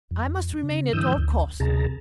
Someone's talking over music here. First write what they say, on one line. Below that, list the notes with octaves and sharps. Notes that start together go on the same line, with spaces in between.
I must remain at all costs!
F2
C#3
G2 D3 E3 D#6 E6 G6
D2
D2 C3 G#4 A5 A#5